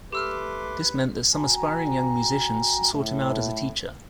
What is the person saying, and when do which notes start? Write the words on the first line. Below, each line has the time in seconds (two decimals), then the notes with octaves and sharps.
This meant that some aspiring young musicians sought him out as a teacher.
0.12 A3 G4 B4 C6 D6 E6 F6
1.35 F#4 G5 G#5 A#5
2.93 A2